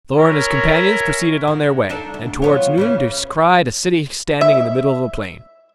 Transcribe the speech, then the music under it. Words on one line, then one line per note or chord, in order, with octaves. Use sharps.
Thor and his companions proceeded on their way, and towards noon descried a city standing in the middle of a plain.
C#4 E4 A#4 C#5
D3
D4 D#4 A4
D2
F3 B3 C#5
C#3 E3 C#4
E5